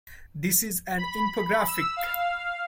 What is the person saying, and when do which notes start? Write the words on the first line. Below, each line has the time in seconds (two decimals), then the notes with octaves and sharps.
This is an infographic.
0.98 B5
1.67 E6
1.97 F5